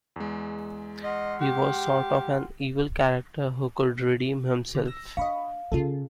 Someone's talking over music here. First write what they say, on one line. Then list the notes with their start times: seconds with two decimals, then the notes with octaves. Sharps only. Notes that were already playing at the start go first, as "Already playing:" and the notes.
He was sort of an evil character who could redeem himself.
0.16 E2 G#3
1.03 D#5 F#5 C6 F6
1.41 G4
4.75 D3
4.87 E6 A#6
5.17 D4 D#5 F5 B5 C#6
5.72 C#3 C#4 F4 G#4 A4